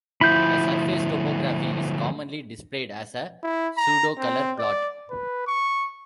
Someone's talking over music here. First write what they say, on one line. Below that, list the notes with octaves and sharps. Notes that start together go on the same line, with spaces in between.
The surface topography is commonly displayed as a pseudocolor plot.
D2 F3 E4 B5 G6
E4
A#5
C4
D5
B4
C#6